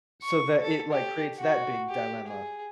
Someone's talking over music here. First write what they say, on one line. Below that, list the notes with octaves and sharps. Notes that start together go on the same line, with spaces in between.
So that it, like, creates that big dilemma
C#6
A4
G4
F#4
G4
G#4